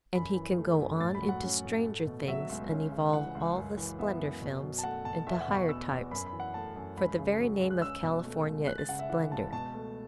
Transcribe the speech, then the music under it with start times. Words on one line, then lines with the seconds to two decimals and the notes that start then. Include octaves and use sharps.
And he can go on into stranger things and evolve all the Splendor Films into higher types, for the very name of California is splendor.
0.15 F#2 B5
0.36 E3
0.58 A3
0.79 F#2
1.00 A2 A6
1.15 B5
1.22 F#3
1.29 F#5
1.43 C#4
1.65 A2
1.86 A3
2.07 B2
2.28 F#3 E5
2.50 C#2
2.71 C#4
2.92 C#3
3.13 E3 F#5
3.35 C#2
3.56 F#2
3.77 E3
3.99 B3 E5
4.20 F#2
4.42 B2
4.63 F#3
4.78 A5
4.83 A3 F#5
5.05 B2 A5
5.27 E2 E5
5.41 F#5
5.48 B2
5.54 C#6
5.69 B3 E6
5.91 E2
6.11 F#2 B5
6.26 B5
6.32 E3
6.40 F#5
6.54 A3 A5
6.76 F#2
6.97 C#2 B5
7.18 C#3
7.40 F#3
7.61 C#2
7.70 F#6
7.82 C#4 E6
8.04 B2
8.25 A3
8.46 C#2
8.67 C#2 F#6
8.78 A6
8.89 C#3 F#5
8.99 E5
9.09 E3 F#5
9.31 C#2 A5
9.53 B2 A5
9.74 A3